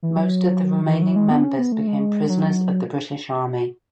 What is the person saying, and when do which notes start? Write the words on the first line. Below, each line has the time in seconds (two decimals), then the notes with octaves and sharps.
Most of the remaining members became prisoners of the British Army.
0.03 E3
0.16 F#3
0.88 E3
1.02 F#3
1.16 G#3
1.30 B3
1.44 C#4
1.58 B3
1.72 A3
1.87 G#3
2.29 F#3